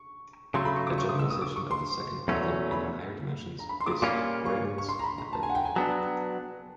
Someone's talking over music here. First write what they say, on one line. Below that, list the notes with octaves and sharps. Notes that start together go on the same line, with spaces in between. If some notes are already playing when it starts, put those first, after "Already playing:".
A generalization of the secant method in higher dimensions is Broyden's method.
Already playing: C#6
C#3 F#3 A3 C6
B5
C#6
D6
C#6
D#6
E6
D#6
D6
C#6
C6
E2 B2 F#3 A3 C#4
B5
A#5
B5
C6
D6
D#6
A#2 G3 A#3 C#4 F4 D6
C#6
C#6
C6
A#5
B5
A#5
A5
G#5
F#5
G5
G#5
F#3 B3 D4 A5